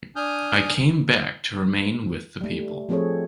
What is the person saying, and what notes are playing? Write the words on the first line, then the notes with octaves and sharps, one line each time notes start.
I came back to remain with the people.
D4 G#5 D#6 F6 G6
G3 A3
F3 A3 C4 G#4 A4 C#5